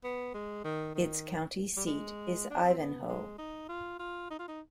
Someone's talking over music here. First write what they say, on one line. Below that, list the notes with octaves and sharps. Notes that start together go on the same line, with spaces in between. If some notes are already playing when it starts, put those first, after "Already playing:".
Its county seat is Ivanhoe.
B3
G#3
D#3
D#3
G3
G#3
D4
C4
B3
G#3
D#4
F4
F4
D#4
F4
D#4